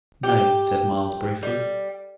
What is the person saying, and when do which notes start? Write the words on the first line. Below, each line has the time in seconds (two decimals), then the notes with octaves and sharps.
"Nay," said Myles, briefly.
0.23 G4
1.43 G3